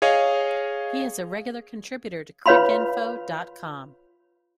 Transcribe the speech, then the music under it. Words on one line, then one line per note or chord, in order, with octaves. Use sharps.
He is a regular contributor to Cricinfo dot com.
G#4 C#5 D#5 F5
F4 B4 C#5 F5 B5 C6